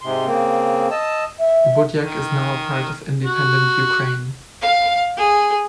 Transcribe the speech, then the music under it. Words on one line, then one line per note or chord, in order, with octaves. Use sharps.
Budjak is now a part of independent Ukraine.
G#2 C3 C6
C#3 A#3 C4
D#5 A5 E6
E5
D#3
F#4
F5
G#4